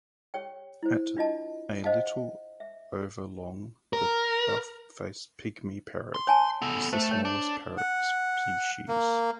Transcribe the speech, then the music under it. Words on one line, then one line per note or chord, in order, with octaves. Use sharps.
At a little over long, the buff-faced pygmy parrot is the smallest parrot species.
G4 C#5 G5
E4 C5
D4 F4 D#5 A5
C5 D#5 F5 F#5 A5
E5
A#4
C6
C#5 G#5 A5
B3 A4
A3 C5
C#5
D4
F#5
A#3